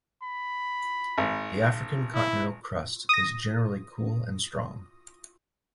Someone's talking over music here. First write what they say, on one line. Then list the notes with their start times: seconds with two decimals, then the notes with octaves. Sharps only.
The African continental crust is generally cool and strong.
0.23 B5
1.18 G#1
2.14 E4
3.09 D#6 A#6